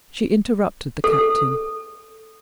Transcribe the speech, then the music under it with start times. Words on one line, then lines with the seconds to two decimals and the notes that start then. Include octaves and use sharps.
She interrupted the Captain.
1.04 A4